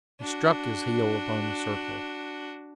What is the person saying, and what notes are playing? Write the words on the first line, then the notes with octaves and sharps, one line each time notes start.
He struck his heel upon the circle.
D4 F#4